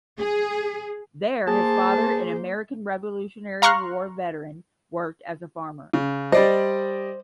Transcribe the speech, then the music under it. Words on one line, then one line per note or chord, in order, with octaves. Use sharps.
There his father, an American Revolutionary War veteran, worked as a farmer.
G#4
A#3 G#4 C5 A5
F5 A#5 C6 C#6 F6 F#6
C#3
G3 C5 D5 D#5